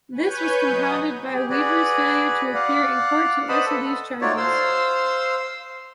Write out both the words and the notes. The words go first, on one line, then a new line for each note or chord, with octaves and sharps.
This was compounded by Weaver's failure to appear in court to answer these charges.
B4 C#5 G#5 G6
F#3 D#4 D#6
G4 G#4
F#4 G#4 B4 D5
D5 F5 F#5
B4 C5 D#5 F#5 A5 B5
A4
A3 D#4 F4 F#4 C#5 D5
C5 F5 C6 E6